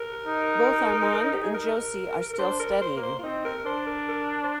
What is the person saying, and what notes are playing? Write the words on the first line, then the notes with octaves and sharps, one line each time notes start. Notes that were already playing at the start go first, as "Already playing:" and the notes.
Both Armand and Josie are still studying.
Already playing: A#4
D#4
G4
G#4
A#4
A#4
D4 C5
A#4
C5
A#3 A#4
C5
F4
C4 D#4
A#4
D4 C5
A#4
A#4
C5